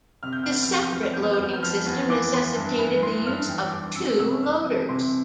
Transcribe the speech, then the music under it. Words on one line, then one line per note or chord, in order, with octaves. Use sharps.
This separate-loading system necessitated the use of two loaders.
C3 F6
G6
E2 F6
G6
F6
F3 G6
F6
F3 G6
F6
E2 G6
F6
G6
E2 F6
G6
F3 F6
E2
E3 D6
E3 C6
G2
E3 B5
E3 C6
G2 F6
E3 G5
G2 D6
F2 E6
C3 E6
F2 F6
E3
C3 C6